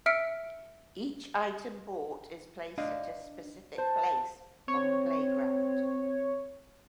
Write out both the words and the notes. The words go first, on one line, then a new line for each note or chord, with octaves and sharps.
Each item bought is placed at a specific place on the playground.
E5 E6 F6 B6 C#7 D7
D4 D#5 F5
C5 A5
C4 C#5